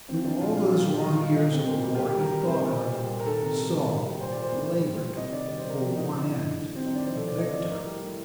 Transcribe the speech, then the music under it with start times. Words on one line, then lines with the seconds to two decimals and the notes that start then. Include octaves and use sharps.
Through all those long years of war he thought of, saw, labored for one end--VICTORY.
0.08 F3 C4
0.24 F3 D4
0.41 A#2 F4
0.56 A#2 F4
0.72 G3 F4
0.88 G3 G4
0.98 D#4
1.04 G3 F4
1.19 G3 F4
1.36 A#2 D#4
1.51 G3 C4
1.67 A#2 A#3
1.84 G3
1.94 F4
1.99 G3 G4
2.09 G4
2.14 G3
2.20 A#4
2.32 G3
2.47 C3 C5
2.62 A#2
2.78 A#2
2.94 G3
3.10 A#2
3.20 A#4
3.26 D#3 A4
3.42 C3 A#4
3.58 G3
3.74 D#3
3.89 G3
4.05 G3
4.21 A#2 C5
4.32 D5
4.37 A#2
4.42 C5
4.54 A2
4.68 G3
4.85 G3
5.01 G3
5.16 C3 D#5
5.32 D#3 D5
5.48 G3 D5
5.58 C5
5.64 C3
5.69 A#4
5.80 F3 G4
5.95 A2 D#4
6.11 A2 D4
6.28 A2
6.43 D#3
6.59 D#3
6.74 G3 C4
6.86 D#4
6.91 D#3 D5
7.07 F3 C5
7.17 A4
7.22 A2
7.28 D5
7.38 F3 D#5
7.54 A2 D5
7.70 A2 A#4
7.86 G3
8.02 A2